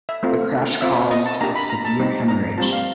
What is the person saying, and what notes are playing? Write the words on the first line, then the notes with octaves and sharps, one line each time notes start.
The crash caused a severe haemorrhage.
E5
A3 C4 F4
C4 F4 E5
D#5
A5
A#3 D4 G4 A#5
B5
A#5
A5
G3 C4 D#4 G4
A#5
G3 C4 F4 A5
F5